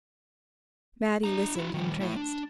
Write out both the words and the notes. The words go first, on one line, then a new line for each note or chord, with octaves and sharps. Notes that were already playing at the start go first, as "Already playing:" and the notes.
Mattie listened entranced.
D4 A#5
E4 F#4
D#3 G3
A3 E4
D4